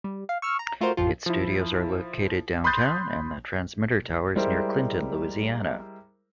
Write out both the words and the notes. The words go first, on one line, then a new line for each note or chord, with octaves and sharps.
Its studios are located downtown and the transmitter tower is near Clinton, Louisiana.
G3
F5
C#6 E6 F6
A#5
A3 F4 F#4 A#4 C5
A1 F2 F3 F4
F3 E4
B5 C6 D#6 F#6 G6 A6
G3 G#3 E4 A#4 C5